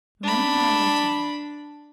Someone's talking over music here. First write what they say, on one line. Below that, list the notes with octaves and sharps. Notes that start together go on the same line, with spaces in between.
Remember my letter.
D4 B5